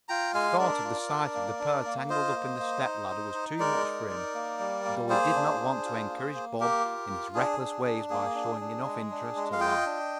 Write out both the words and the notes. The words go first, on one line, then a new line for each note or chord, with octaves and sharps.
The thought of the sight of the pair tangled up in the step-ladder was too much for him, though he did not want to encourage Bob in his reckless ways by showing enough interest to laugh.
F4 G5 A#5
G#3 F5 G#5
D4 A#4 D5
F4
D4
A#3
D4
A#3
F4 C5 D#5
A#3
A#3
D#4
D#4
D#4
G#3 A#4 D5
D#4
D#4
A#3
G3
A#3
A#3 G#4 C5
D4
D4
F4
A#3
A#3
A#3 G4 A#4
F4
F4
D4 G#4
D4
D4
A#3 G#4
D4
D4
G#3
D4
G#3
F5
F4 D#5 G5
D4